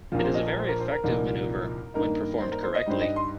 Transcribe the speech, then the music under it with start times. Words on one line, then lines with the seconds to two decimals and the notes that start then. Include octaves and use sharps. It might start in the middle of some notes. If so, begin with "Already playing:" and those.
It is a very effective maneuver when performed correctly.
0.12 A#1 A#2 F3 F5
0.19 A#4
0.24 C5
0.34 D#5
0.46 A#4
0.58 C5
0.68 A#4
0.80 C5
0.91 A#4
1.04 C2 A#2 F3 D#4
1.94 G2 D#3 A#3 D#4 A#4
2.40 C5
2.52 A#4
2.63 C5
2.75 D#5
2.86 G2 G3 D#4 C5
3.01 D#5
3.16 C6